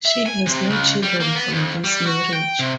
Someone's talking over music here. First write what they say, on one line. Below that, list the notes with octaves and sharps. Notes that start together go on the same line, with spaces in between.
She has no children from this marriage.
E5
G#5
C3
C#2
G3
A#3
B3
F2
G3
F#4
G5
C3